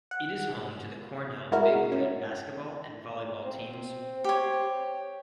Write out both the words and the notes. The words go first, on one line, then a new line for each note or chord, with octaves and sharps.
It is home to the Cornell Big Red basketball and volleyball teams.
F#5
G#3 E4 F#4 A#4
C#4
C4
G4 C#5